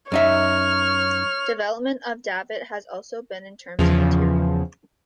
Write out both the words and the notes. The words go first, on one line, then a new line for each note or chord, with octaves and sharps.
Development of the davit has also been in terms of material.
F#2 D#4 C#5 E5 F6
E2 C#3 F3